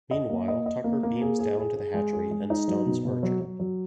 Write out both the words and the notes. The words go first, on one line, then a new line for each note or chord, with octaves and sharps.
Meanwhile, Tucker beams down to the hatchery and stuns Archer.
D#5
A#3
D#5
D#5
A#3
A#3
G#4
G#4
G#4
G#4
G#3
G#4
G#3
D#4
F#3
B2
B2
F#3
F#3
F#3